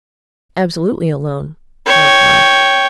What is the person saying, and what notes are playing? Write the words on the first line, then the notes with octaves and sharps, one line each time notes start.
"Absolutely alone," I replied.
C#5 G5